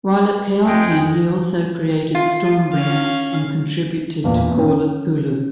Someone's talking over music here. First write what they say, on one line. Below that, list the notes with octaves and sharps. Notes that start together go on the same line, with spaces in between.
While at Chaosium he also created "Stormbringer", and contributed to "Call of Cthulhu".
F2 G#3 G5
F4
C#4 F5
E2 A#2 D4
C#4